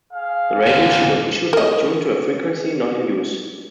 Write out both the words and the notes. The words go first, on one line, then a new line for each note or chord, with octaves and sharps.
The radio she was issued was tuned to a frequency not in use.
G#4 F5
A#2 D3
A#4 D#5